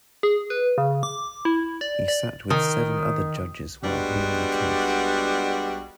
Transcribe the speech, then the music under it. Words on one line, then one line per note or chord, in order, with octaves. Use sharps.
He sat with seven other judges while hearing a case.
G#4
B4
C#3
D6
E4
D5
D5
D#3
G3 G#3 B3 D4 F#4